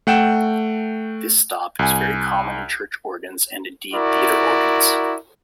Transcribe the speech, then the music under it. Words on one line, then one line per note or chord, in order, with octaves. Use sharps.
This stop is very common in church organs and indeed theatre organs.
A3 F#5 G5 E7
C2 G#5
E4 F#4 A#4 D5